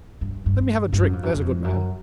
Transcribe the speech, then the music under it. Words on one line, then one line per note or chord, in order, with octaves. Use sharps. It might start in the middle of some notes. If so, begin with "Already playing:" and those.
Let me have a drink, there's a good man.
G2
G2
G2
F#2
F2
F#2
F#2
F2
F#2